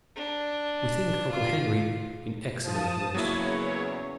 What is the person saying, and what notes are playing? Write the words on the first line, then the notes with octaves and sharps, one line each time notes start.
We think uncle Henry in excellent looks.
D4
F4
F3 A5 D#6
E2 C#3 F#3 A#3 E4 C#5